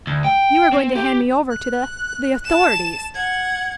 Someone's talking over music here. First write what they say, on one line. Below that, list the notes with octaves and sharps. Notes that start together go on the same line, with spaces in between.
"You are going to hand me over to the--the authorities."
D2
G5
C4
G4
F#6
A5 E7
F#5 G#6